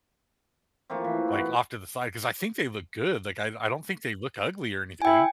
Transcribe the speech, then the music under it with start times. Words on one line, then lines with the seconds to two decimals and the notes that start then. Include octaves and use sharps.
like, off to the side, 'cause I think they look good, like I I don't think they look ugly or anything.
0.90 F3 A3 A#3 C4
1.04 E3
1.28 B3 F#4
5.02 E4 G5 G#5